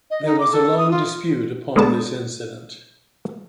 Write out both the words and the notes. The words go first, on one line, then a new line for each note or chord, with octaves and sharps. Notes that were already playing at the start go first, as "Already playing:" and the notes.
There was a long dispute upon this incident.
D#5
D#4
D6
A4
D#6
F4
D3 G#3 B3 A5